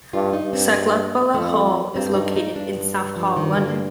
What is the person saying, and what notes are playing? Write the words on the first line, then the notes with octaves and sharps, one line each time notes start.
Saklatvala Hall is located in Southall, London.
G2 F4
D#4
G2
C4
A#3
F2 A3
G2 C4
D#4
D#4
G2 D4
F3
D#3
D3